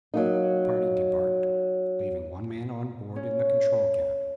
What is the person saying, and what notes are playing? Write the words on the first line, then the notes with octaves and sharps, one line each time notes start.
The party debarked, leaving one man on board in the control cabin.
F#3 A#3 D#4
C#4